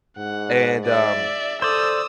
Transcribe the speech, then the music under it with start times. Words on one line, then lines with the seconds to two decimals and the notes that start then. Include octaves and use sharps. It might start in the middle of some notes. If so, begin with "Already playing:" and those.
And, um,
0.18 G#2 F#5
0.85 D5 E5
1.62 A4 C5 D5 D#6 E6